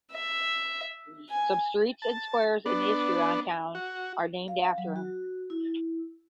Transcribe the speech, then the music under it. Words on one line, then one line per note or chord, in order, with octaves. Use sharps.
Some streets and squares in Istrian towns are named after him.
E5
G#5
A5
B3 D4
F#4
F5
F#3
F#4
E4